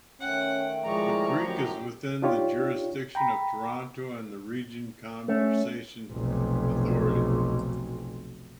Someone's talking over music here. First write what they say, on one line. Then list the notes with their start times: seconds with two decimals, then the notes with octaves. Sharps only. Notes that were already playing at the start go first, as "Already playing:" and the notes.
The creek is within the jurisdiction of the Toronto and Region Conservation Authority.
0.21 D#3 A3 C#4 F#5 G5
0.84 A2 F3 G#3 D5 A#5 C#6
1.46 F#2 G4
2.22 D4 D#4 F4 G4 C#5
3.15 G5 A#5 B5
5.28 A3 C#4
6.10 F1 B1